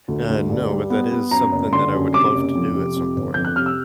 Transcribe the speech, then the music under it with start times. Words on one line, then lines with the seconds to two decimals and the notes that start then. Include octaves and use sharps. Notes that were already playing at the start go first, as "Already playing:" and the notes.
Uh, no, but that is something that I would love to do at some point.
0.08 D2
0.29 D2
0.50 G2
0.70 G3
0.90 B3
1.11 B3
1.31 F#2 A#5
1.52 F#1
1.72 D3 C6
1.94 F#2
2.13 C3 D6
2.35 F#1
2.55 F2
2.76 C3
2.96 F2
3.16 G1
3.34 F2 G6
3.45 F#6
3.56 C3 F6
3.66 E6